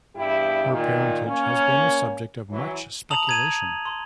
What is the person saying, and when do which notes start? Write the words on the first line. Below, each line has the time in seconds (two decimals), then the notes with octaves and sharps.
Her parentage has been the subject of much speculation.
0.16 E2 G2 E4 G4
0.71 A#2 D#3
1.26 A#3 C#4
2.50 E3 F#3
3.10 A5 A#5 D#6 F7 F#7
3.27 A#5 G#6 D#7
3.85 C6